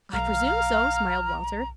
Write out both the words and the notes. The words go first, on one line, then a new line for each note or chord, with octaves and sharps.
"I presume so," smiled Walter.
B1 F5 A#5 F6